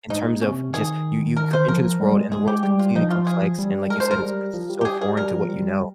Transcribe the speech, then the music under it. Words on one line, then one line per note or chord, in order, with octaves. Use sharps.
in terms of just you you come into this world and the world's completely complex and like you said, it's so foreign to what you know,
G#2 D#4
A#2
C3 C#4
D#3 G#4
A#4
C5
F3 A#4
G3
G#3
G#3 G#4
G4
G3 G4
F4
F3 D#4
F4
G#4
G3
G#3 A#4
C5
A#4
G3
F3
G3
G4
G3 G#4
G3 G#4
G3 A#4
F3
G3